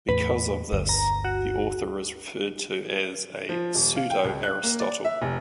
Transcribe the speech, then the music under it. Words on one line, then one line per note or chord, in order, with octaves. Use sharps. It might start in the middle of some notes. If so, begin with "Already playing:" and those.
Because of this, the author is referred to as a Pseudo-Aristotle.
E2 A2 B4
G1 D2 G2
A#5
F#4
F3
D#1
F5
G5
C#2
F#6
A#3
D5
E5
F1